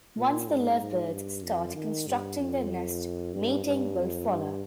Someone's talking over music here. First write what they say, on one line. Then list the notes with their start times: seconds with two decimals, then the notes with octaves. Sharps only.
Once the lovebirds start constructing their nest, mating will follow.
0.17 A#2
0.49 G#2
0.81 G#2
1.12 G2
1.43 F2
1.75 D#3
2.07 G2
2.39 F2
3.33 G2
3.65 G2
3.96 F2
4.29 G2